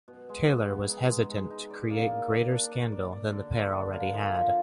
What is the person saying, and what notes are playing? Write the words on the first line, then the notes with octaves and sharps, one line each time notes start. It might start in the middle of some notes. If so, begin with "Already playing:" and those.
Taylor was hesitant to create greater scandal than the pair already had.
B2
G#3
B3
B3
D#4
G#3
G#3
D#4
D5
A#3
A#3
D5
D4
D4
D5
D5
D3
D3
D3
A#3
F3
F3